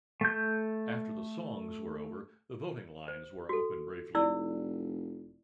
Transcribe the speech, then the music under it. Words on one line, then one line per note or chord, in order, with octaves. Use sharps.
After the songs were over, the voting lines were open briefly.
A3 G6
C5
F#4 A4
F1 E4 D5 E6